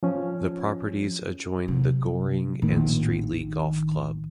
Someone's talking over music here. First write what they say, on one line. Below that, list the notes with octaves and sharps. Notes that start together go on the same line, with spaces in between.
The properties adjoin the Goring and Streatley Golf Club.
F3 C#4
C3 F#3
A#1 A2 D#3